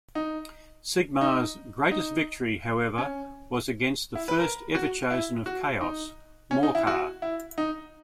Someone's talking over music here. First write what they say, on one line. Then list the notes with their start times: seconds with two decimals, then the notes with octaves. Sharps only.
Sigmar's greatest victory however was against the first Everchosen of Chaos, Morkar.
0.15 D#4
1.21 D#4
1.91 D#4
2.98 C#4
4.15 E4
4.28 B4
4.39 A#4
4.75 F#4
5.11 E4
5.46 F#4
5.81 D#4
6.51 C#4
6.63 D#4
6.75 E4
6.87 F#4
7.22 E4
7.58 D#4